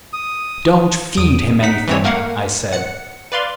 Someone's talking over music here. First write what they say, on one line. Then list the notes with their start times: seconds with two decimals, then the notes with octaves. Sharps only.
"Don't feed him anything," I said.
0.13 D#6
1.17 E2 D#6 D7 D#7
1.63 D#4 F#5 B6
1.88 E3 G3 A3 C4 C#5
2.04 A3 A#3 A#4 F5 F#5
2.73 F#5 C#7
3.32 B4 D5 F5 C6